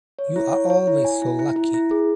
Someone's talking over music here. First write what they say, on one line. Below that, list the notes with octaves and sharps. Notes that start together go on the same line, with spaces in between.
You are always so lucky.
C#5
E4
C#5
C#5
E4
G#5
E4
E4
E4
E4
G#4